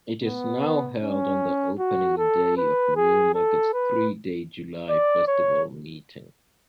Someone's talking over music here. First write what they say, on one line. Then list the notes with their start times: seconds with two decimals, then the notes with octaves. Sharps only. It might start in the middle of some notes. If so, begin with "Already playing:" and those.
It is now held on the opening day of Newmarket's three-day July Festival meeting.
0.25 B3
1.02 C#4
1.79 F#4
2.18 A4
2.57 B4
2.96 G#4
3.34 A4
3.73 B4
4.89 D5
5.27 C#5